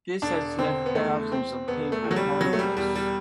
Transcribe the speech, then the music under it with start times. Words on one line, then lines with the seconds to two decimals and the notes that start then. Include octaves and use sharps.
This has left thousands of people homeless.
0.22 E1 D4
0.59 D3 C4
0.86 B3
0.95 E2 A3
1.32 E2 C4
1.68 E1 B3
1.92 A3
2.04 E2
2.11 F#3
2.16 G3
2.41 E1 F#3
2.53 A3
2.59 G3
2.77 E2 G3
2.95 G3